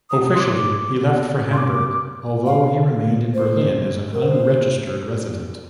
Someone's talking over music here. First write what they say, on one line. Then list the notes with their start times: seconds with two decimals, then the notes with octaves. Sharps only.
Officially he left for Hamburg, although he remained in Berlin as an unregistered resident.
0.10 D#6
0.35 C6
0.40 D6
1.52 C6
1.58 D6
2.46 F5
3.34 C5
4.13 A#4
4.23 C5